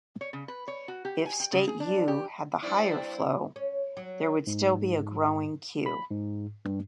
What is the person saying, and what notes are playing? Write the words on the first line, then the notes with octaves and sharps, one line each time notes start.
If state U had the higher flow, there would still be a growing queue.
C#5
C#3
B4
C#5
F#4
G4
G#5
G5
C#3
G#4
D4
G4
G2 C4 E4 D5
C#4
F#3
G#2
B5
G#2
G2